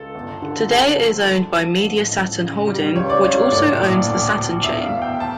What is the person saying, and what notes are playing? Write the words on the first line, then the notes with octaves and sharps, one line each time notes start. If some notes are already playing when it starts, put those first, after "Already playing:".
Today it is owned by Media-Saturn Holding, which also owns the Saturn chain.
Already playing: C#2 A4
G1
D3
C#2 A4
F3
D2
F3
A1
A1
C#3
G3
C#2 C#5
D5
C#2 C#5
A2 D5
A#1
D2
D2
E2 E5
F5
E2
G5
A5